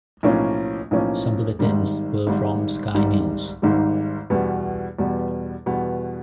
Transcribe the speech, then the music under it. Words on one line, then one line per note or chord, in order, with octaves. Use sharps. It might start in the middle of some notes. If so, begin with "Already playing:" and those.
Some bulletins were from Sky News.
B1 A2 F3 A#3 C#4
B1 A2 F3 A#3 C#4
G#1 G#2 D#3 G3
G#1 G#2 D#3 G3
G#1 G#2 D#3 G3
G#1 G#2 D#3 G3
E2 B2 G3 B3
E2 B2 G3 B3
E2 B2 G3 B3